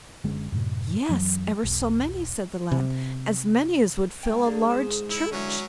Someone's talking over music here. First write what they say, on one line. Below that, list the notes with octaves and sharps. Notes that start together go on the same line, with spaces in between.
'Yes, ever so many', said the lad, 'as many as would fill a large church.'
F#1 D3 G#3 C#4
F#2 A2 C3
F#2 E3 F#3
E1 B1
C3
G#2 G5
A#3 D4 G#4
G#2 C5
E4
D3 F#3 G#3 C#4 E4